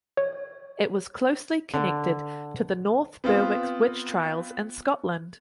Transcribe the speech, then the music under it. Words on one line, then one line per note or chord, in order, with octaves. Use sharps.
It was closely connected to the North Berwick witch trials in Scotland.
C#5
D3
B3 C4 F4